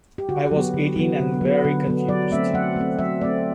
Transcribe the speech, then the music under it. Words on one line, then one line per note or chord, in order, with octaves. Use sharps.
I was eighteen and very confused.
G4
D3 F#4
F#3
B3
D3
F#3 B3
D3
F#3 B3
D3
F#3 B3
F#3 D5
A3 C4 E5
F#3 F#5
A3 C4
F#3 E5
A3 C4 D5